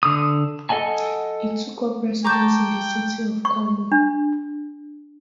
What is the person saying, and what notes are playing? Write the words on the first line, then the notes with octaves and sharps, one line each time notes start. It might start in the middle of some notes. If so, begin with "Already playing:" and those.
He took up residence in the city of Kalmar.
D3 D#6
A4 D#5 F#5 G#5 A5
G5 A5 A#5 C#6 D6 G6
C#6
D4